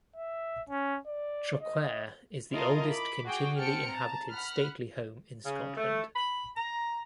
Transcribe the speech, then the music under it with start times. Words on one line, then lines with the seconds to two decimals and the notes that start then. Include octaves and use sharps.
Traquair is the oldest continually inhabited stately home in Scotland.
0.16 E5
0.69 C#4
1.07 D5
1.61 D#5
2.51 E4 F4 A4 A#4 D#5 F5
2.89 B5 D6
3.25 F#4 G#4 G5 D6
3.56 C4 G5 A5 F6 C#7 D7
3.90 A5 A#5
4.29 F#5 B5 F6
5.45 C#3
5.77 A3
6.16 B5
6.56 A#5